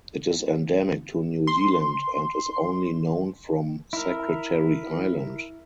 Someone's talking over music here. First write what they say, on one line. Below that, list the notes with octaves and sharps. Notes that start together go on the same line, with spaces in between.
It is endemic to New Zealand and is only known from Secretary Island.
C6
E4 A#4